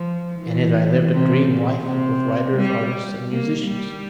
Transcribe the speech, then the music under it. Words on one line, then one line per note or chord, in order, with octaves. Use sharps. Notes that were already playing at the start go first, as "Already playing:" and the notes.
In it I lived a dream-life with writers, artists, and musicians.
Already playing: F3
E3
C3
A#2
C3
G3
A#3
G3